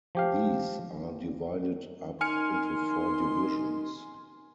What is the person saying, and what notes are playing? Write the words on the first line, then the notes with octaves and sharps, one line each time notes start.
These are divided up into four divisions.
F3 G4 F5
D#3 G#5 C6 F6 C#7